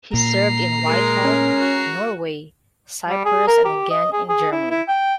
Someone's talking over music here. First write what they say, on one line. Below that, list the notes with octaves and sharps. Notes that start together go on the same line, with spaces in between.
He served in Whitehall, Norway, Cyprus and again in Germany.
A#2 A#5 C7
G#3 A#4
C#4
F#4
G3
G#4
A#4
G4
D#5
G#4
G#4
E4
E4
G5